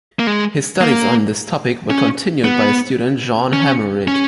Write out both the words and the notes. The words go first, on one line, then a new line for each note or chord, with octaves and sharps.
His studies on this topic were continued by his student, Jan Hemelrijk.
A#3
G#3
A#3
C#4
B3
C#4
C#4